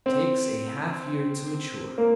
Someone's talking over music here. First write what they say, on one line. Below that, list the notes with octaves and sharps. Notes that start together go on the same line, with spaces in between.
Takes a half year to mature.
C4
A#3